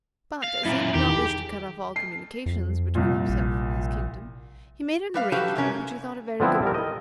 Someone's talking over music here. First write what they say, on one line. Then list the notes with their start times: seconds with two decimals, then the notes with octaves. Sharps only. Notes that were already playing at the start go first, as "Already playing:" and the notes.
But, as he did not wish to cut off all communication between himself and his kingdom, he made an arrangement which he thought a very good one.
0.44 F5
0.65 F#2 A#2 E4 B5
0.95 E2 D#3 G4 B5
1.18 G#4
1.96 C7
2.46 F2
2.95 C2 A#2
3.29 A#1
5.14 G3 B4 F5
5.32 F#3 F#4 G4 A4 B4 F5
5.55 F#2 C3 E3 C#4 A#4
6.40 D3 F3 B3 C4 E4
6.62 G3 A#4
6.74 D#5